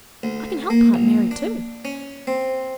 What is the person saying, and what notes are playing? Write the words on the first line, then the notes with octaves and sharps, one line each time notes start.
I can help Aunt Mary, too.
D2
A#3
A#1
D4
C#4
C4